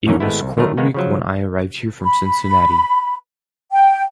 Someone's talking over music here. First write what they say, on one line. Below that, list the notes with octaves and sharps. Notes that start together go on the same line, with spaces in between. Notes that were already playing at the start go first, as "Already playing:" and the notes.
It was court week when I arrived here from Cincinnati.
F2 D#3 E3 C#4 A#4
G#1 G#3 A3 B3 E4
C2
D3 D#3 F#3 A3 A#4
D#3 G#3 A#3 B3 D#4
C#3 F3 F#3
B5
G5